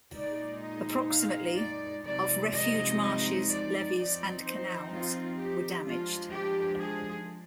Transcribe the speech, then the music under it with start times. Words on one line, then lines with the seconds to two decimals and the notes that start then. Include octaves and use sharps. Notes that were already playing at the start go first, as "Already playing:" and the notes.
Approximately of refuge marshes, levees, and canals were damaged.
0.15 A#2 G#3 D#4 D5
0.63 D#5
1.10 F5
1.58 D5
2.05 C3 F3 G#3 D#4 D5
2.53 D#5
3.01 D#5
3.48 D5
3.95 F3 C4 D#4 D5
4.43 C5
4.91 F4
5.38 G4
5.85 F3 G#3 D4 F4
6.33 G4
6.80 G#4